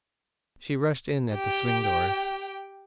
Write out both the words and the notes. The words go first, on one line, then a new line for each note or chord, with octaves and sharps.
She rushed in at the swing doors.
G4 G5